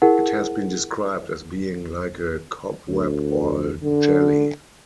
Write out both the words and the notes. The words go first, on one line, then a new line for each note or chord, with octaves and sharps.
It has been described as being like a cobweb or a jelly.
E4 G#4 A#4 F#5
D2
D3